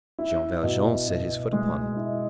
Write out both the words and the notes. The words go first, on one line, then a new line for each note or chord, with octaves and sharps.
Jean Valjean set his foot upon it.
E4
B2
B2
G#3
E4